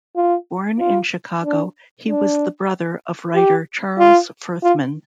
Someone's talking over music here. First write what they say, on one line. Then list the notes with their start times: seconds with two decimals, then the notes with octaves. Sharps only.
Born in Chicago, he was the brother of writer Charles Furthman.
0.16 F4
0.79 F4
1.44 D4
2.08 D4
3.35 G4
3.99 F4
4.63 F4